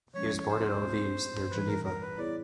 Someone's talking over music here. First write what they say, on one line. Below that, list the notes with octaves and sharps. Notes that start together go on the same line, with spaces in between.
He was born in Eaux-Vives near Geneva.
F3 G#3 C#4 C#5
C#5
C5
A3 C4 F4
A2 E3 G3 B4
A#4
A#4
B4
B3 E4 G#4 C#5 D5